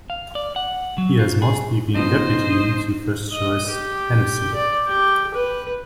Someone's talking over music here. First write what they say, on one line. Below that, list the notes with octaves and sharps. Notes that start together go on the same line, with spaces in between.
He has mostly been deputy to first-choice Hennessey.
F5
D5
F#5
F#3
F4
G#4
C#3 F3 B3 D#4 C5 D#5
D#5
G4
D5
G4
B4